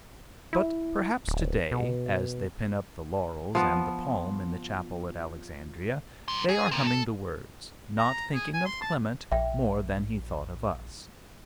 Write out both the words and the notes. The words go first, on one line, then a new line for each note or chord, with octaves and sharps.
But perhaps to-day, as they pin up the laurels and the palm in the chapel at Alexandria, they are humming the words, not thinking of Clement more than he thought of us.
E4
D1
B2
F3 B3
F#3 C6
G#4
A#3 C4
A4
A#5
G#4
G#5
C6
A5
A#1 E5 G5